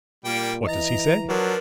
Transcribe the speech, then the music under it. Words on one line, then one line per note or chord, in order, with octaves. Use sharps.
"What does he say?"
A#2 G3 A#3 G5
E3 D#5 A#5 A6
F3 F#3 D4 A#4 B4